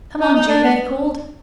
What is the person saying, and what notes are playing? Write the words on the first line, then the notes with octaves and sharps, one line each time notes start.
"Come on, Julie," he called.
D#4
D#4
D4
B3